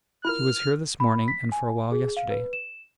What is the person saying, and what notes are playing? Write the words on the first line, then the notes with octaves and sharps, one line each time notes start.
"He was here this morning and for a while yesterday."
E4 F4 A#4 F6
B5
B6
G#5
G#4
F5
B4
E7